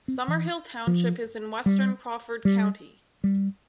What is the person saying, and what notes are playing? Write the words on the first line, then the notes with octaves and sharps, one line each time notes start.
Summerhill Township is in western Crawford County.
C4
E3
F3
G3
G3
G3